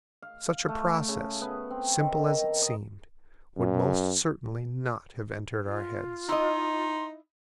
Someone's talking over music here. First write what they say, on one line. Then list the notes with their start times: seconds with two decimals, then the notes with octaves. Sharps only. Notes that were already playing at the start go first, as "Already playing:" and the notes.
Such a process, simple as it seemed, would most certainly not have entered our heads.
0.22 F5
0.68 A3
1.08 C#3
1.41 B3
1.71 C4
1.99 D#3
2.31 A#5
2.62 D#5
3.56 F#2
5.64 F4
6.29 D#4 E4 D#5 C6